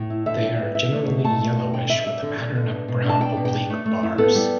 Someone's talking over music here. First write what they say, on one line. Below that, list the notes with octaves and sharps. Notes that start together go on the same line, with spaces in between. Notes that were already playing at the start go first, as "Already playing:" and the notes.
They are generally yellowish with a pattern of brown oblique bars.
Already playing: A2
E4
D3 E5
G3
B3
E4 E5
A3
B2
A3 A5
A3
B2
D3 G5
D3 E5
G3 E5
D3
D3
D3
B2
B2
D4
A5
D4 G5
B2
G5
D4
A3
A3
E4
B3 A4
G3